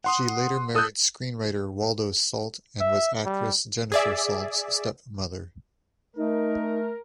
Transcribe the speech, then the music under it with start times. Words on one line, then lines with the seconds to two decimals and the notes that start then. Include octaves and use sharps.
She later married screenwriter Waldo Salt and was actress Jennifer Salt's stepmother.
0.04 F#5 C6 D#6
0.75 A4 D#6 E6 F#6 G6
2.80 E5
3.25 G3
3.92 G#4 D5 E5
6.16 A3 D#4 A#4